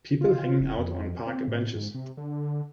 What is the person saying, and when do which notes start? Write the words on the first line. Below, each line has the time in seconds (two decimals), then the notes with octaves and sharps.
People hanging out on park benches.
0.21 F4
0.60 F1
0.78 F2
1.27 C4
1.48 A2
1.75 G#2
1.95 C3
2.17 D3